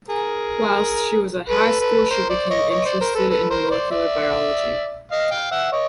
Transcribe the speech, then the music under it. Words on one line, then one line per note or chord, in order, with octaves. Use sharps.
Whilst she was at high school she became interested in molecular biology.
G#4 A#4
A4 B4
A4 B4
A#4 C5
C5 D5
C#5 D#5
C#5 D#5
C5 D5
A#4 C5
A4 B4
A4 B4
A#4 C5
C5 D5
D5 E5
D#5 F5
F5 G5
E5 F#5
C#5 D#5